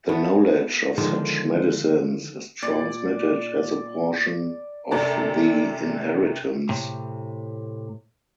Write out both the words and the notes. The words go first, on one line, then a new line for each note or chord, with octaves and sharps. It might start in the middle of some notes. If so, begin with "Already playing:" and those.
The knowledge of such medicines is transmitted as a portion of the inheritance.
A3 B3 F#4
D3 D#3 F3 G#3
A#2 D5
F#2 C3 A3 D4 A5 A#5
A2 C3